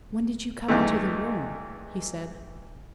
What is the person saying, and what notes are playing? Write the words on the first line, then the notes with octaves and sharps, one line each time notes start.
"When did you come into the room?" he said.
E2 G2 D#3 A3